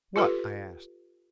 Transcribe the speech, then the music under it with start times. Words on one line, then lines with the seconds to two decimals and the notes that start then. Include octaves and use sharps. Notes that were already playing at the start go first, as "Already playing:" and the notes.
"What?" I asked.
0.16 F4 G4 A4 B4